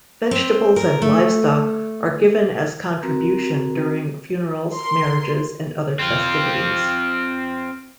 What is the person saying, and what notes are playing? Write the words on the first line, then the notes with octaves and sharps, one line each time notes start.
Vegetables and livestock are given as contribution during funerals, marriages and other festivities.
C4
A#4
A3
C4 F#4 A#4 A#5
A#4 C6
C4 F4